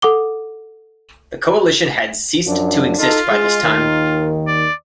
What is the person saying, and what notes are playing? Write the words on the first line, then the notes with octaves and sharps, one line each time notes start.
The coalition had ceased to exist by this time.
A4 F#5 D6 G7
F#2 F3 D4
D#4 F4 A4
G#3
D#2 D#3
D5